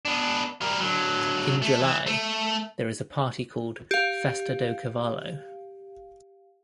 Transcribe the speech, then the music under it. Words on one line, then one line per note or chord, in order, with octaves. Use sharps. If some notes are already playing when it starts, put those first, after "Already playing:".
In July there is a party called "Festa do Cavalo".
B3 D4
G3 A#4
D3 F#3
A3
E3
A3
G4 F5